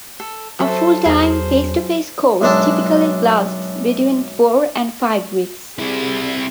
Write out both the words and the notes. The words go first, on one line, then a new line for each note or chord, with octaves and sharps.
A full-time, face-to-face course typically lasts between four and five weeks.
A4
F#3 A4 C5 E5
E2 G#4 A#4 C5
B1 F#2 G#3 D4 A4 G5
C3 G3 E4 G#4